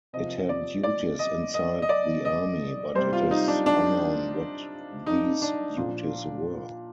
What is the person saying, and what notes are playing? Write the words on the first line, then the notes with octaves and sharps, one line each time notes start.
It had duties inside the army, but it is unknown what these duties were.
C3 F3 D#5
D5
D5
D#5
D#5
D#5
D5
D#5
C3 G3 C5
F4
D#4
D4
D4
D#4
D4
A#2 F3